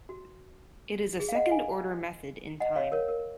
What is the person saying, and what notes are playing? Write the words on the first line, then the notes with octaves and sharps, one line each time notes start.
It is a second-order method in time.
F#4
G#4
F5
D#5 F#5
F5 G#5
D#5 F#5
C#5 F5
A#4 C#5
A#4